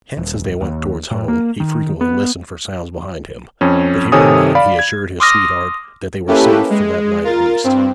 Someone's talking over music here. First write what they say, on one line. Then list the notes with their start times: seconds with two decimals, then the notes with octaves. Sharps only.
Hence, as they went towards home, he frequently listened for sounds behind him, but hearing none he assured his sweetheart that they were safe for that night at least.
0.17 D#1
0.61 D#2
1.11 A2
1.28 A#3
1.60 D#3
2.01 B3
3.61 F2 C#4
4.12 C3 D#3 A4 C#5 G#5 D#6
4.55 D5 F5 B5
4.79 G#6
5.20 C6 D6 D#6 F6 A#6
6.27 A#3 C#4 E4 G4 A4 B4
6.70 G#3
7.24 F4 A#4 A6
7.64 G2 C4